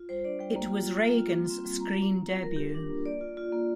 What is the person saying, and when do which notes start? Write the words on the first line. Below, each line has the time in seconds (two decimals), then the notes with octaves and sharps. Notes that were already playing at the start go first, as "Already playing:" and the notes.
It was Reagan's screen debut.
Already playing: F4
0.09 G3 C5
0.25 D4 D5
0.40 G3 G5
0.56 A#3
0.71 F4
0.87 F4
1.02 A#3
1.18 F4
1.34 G3
1.50 C4
1.65 G3
1.80 F4 A#5
1.97 G3
2.12 C4
2.28 G3
2.43 F4 A#4
2.56 A#3 G4
2.70 A#4
2.75 D4
2.90 A#3
3.06 A#3 D5
3.21 F4
3.37 F4
3.52 A#3